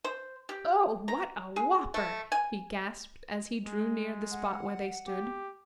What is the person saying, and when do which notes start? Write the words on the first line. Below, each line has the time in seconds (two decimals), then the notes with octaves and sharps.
"Oh! what a whopper!" he gasped, as he drew near the spot where they stood.
0.04 C5
0.49 G4
1.08 A#5
1.56 G#4
1.94 A3
2.32 G#5
3.64 G#3
4.31 F#5
5.07 G4